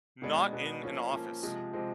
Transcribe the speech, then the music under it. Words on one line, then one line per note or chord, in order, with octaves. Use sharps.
not in an office.
B2 G#3 B3 D4
B2 G#3 B3 D4
F3 A#3 C#4
F3 A#3 C#4
C3 F3 G#3
C3 F3 G#3